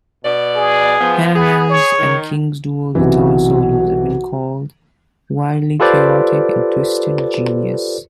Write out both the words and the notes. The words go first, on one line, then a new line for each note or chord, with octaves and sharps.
Hanneman's and King's dual guitar solos have been called "wildly chaotic," and "twisted genius".
B2 D5
G#4
F3 B3
B3 G#4
C#5
D#3
B1 C3 E3 F#4
F4 G4 A4 B4 C5 D5